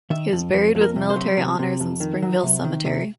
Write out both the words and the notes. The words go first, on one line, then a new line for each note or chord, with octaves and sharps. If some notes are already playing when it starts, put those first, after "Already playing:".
He was buried with military honours in Springvale cemetery.
D#3 E5
F2
F2
F2
A#4
C3
C5
F#3
C3
C3
F2
D#3
F#3
C3
D#3
C3